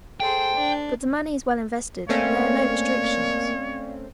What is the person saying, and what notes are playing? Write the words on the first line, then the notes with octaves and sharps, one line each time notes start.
But the money is well invested and there are no restrictions.
G#4 A4 C5 G5
D4
A3 A#3 C4 C#4 C#5 D5 F5